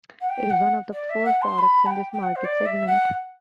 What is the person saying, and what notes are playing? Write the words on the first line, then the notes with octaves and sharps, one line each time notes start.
It was one of the first products in this market segment.
F#5
G5
F#5
D5
E5
F#5
C6
B5
F#5
G5
G5
F#5
C5
D5
E5
F#5